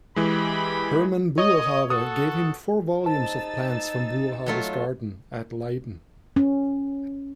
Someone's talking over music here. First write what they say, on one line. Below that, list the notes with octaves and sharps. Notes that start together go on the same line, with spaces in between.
Herman Boerhaave gave him four volumes of plants from Boerhaave's gardens at Leiden.
E3 G#3 E4 G4 B5
C#5 D#5
F#4 A4 D#6
D#4 G#4 C5 A5 E6 A6
F#3 A3 F4
C#4